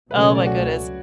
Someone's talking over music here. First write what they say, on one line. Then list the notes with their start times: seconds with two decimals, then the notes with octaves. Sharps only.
oh my goodness,
0.11 C#2 B2 F#3 A3 C#4 B4
0.22 C#5
0.35 D5
0.46 F#4